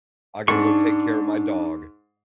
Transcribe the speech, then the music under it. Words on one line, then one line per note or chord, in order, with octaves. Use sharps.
I gotta go take care of my dog
G#2 D4 D#4 C#6